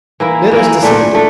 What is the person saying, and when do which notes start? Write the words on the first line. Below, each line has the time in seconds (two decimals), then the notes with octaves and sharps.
Let us descend.
0.20 E3 A#3 E4
0.51 E3 A#3 E4
0.83 A#2 A3 D4
1.14 A3 D4